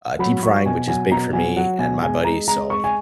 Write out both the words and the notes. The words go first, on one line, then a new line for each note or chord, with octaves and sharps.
uh, deep frying, which is big for me and my buddies, so
F#3 B5
F#3 C#6
B2 G#5
F#3 G#5
B2 A#5
F#3 G#5
F#3 F#5
B2 G#5
G#3 G#5
G#3 A#5
G#3 A#5
G#3 C#6
G#5